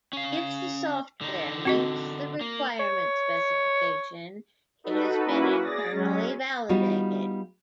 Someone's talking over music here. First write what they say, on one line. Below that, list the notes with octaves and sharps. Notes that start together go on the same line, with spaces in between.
If the software meets the requirement specification, it has been internally validated.
C#4 F5
D3 D#4
C4 F#4 D#5
A#3
C#5
D#4 F#4 A4 B4
A#3 C#4 E4 F#4 B4
G#4 D5 A6 A#6
F#3 G#3 C#4
G3 B3 D#4 F4 F#4